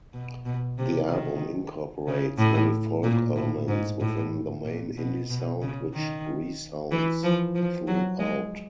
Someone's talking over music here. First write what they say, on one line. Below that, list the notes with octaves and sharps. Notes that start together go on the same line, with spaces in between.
The album incorporates many folk elements within the main indie sound which resounds throughout.
B2
B2
C3
D#3
C#3
A2
A#2
A2
G#2
A2
A#2
B2
B2
C#3
D#3
E3
F3
F3
F#3
G#3